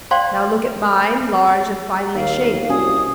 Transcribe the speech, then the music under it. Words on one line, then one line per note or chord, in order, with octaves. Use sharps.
Now, look at mine, large and finely shaped.
C5 D5 F5 G5 C6
D#2 F5
C2 C#4 F#4 G#5 D#6